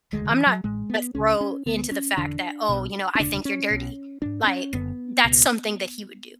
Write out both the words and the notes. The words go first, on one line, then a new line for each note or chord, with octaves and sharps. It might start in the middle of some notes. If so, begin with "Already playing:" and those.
I'm not a throw into the fact that, "Oh, you know, I think you're dirty," like, that's something that he would do.
E1 D2 D3 G#3
D3
E3
F#3
A1 A2 G#3
B3
C#2 C#3 C#4
C#4
D2 D3 B3
C#4
E1 E2 D3 D4
B1 B2
C#4
E1 D2 C#3 D4
C#4
B1 B2
G#1 G#2 D4
B3
C#4
F#1 F#2 D3 B3
C#2 B2